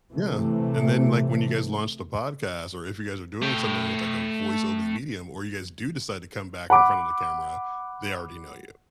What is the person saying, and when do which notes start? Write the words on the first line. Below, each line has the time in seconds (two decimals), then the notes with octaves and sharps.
Yeah, and then, like, when you guys launch a podcast, or if you guys are doing something with, like, a voice-only medium, or you guys do decide to come back in front of the camera, they already know you.
0.12 C3 E3 A3
3.42 A3 G5
6.70 F#5 B5 D6